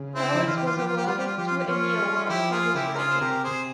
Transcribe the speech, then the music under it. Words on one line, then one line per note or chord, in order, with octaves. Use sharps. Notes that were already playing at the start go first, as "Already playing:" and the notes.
Powers was awarded two Emmy Awards for his writing.
Already playing: C#3
C4 E4
F3
E3 F4
G4
F4
F3 G4
F4
G4
G3 F4
G4
F4
F3 G4
F4
G4
F3 C#4 F4
G3
F4
F3 E4 G4
F4 G#4
C#3 E4 G4
A#4
F4 G#4
C5
C3 G4 A#4
G#4 C5
C3